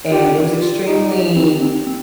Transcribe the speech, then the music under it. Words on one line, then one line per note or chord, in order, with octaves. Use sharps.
and it was extremely
F4 G4
D5
F4
D#4 G4
G4
C4
C4
C4